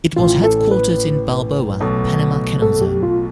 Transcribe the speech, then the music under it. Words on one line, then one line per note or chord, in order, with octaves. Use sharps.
It was headquartered in Balboa, Panama Canal Zone.
A1 A2 E3 F4
A4
B4
B1 B2 A3
A4
G4
F4